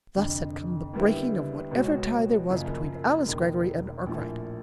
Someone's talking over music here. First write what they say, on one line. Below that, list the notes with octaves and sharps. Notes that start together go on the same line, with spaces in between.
Thus had come the breaking of whatever tie there was between Alice Greggory and Arkwright.
F1 F2 D3
D#2 D3 G3 B3 E4
C#2 B2 G#3 C#4 F#4
F#1 F#2 C#3 F3 A#3
E1 D#2 D#3
A#1 A2 F3 A#3